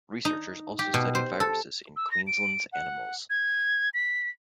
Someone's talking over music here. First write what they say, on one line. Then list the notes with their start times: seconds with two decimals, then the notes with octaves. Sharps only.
Researchers also studied viruses in Queensland's animals.
0.25 D#4
0.79 G4
0.94 B2
1.15 C5
1.40 A4
1.96 E6
2.11 A#6
2.27 D7
2.73 F#5
3.30 G#6
3.94 B6